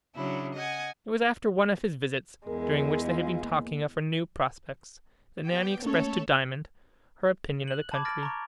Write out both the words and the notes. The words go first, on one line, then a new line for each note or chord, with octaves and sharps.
It was after one of his visits, during which they had been talking of her new prospects, that Nanny expressed to Diamond her opinion of the country.
C#3 F#3 D4 E4
D#5 F#5 G#5
E2 G#3 G#4 A#4
F4 F5
A#3
B3 G4 G5
A3 A#3 C#4 A4 C#5
F#6 F#7
A5 B5 D6 G#6
F6 A6 A#6 D7
A#5 C#6